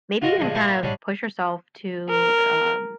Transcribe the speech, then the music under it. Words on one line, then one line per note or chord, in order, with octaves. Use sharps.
maybe even kind of push yourself to, um,
F4 F#4 A#4 D#5
G2 D3 F3 G#3
A#3 E4 G4 C5 C#6
G#2 G3 C#4 D4
A#4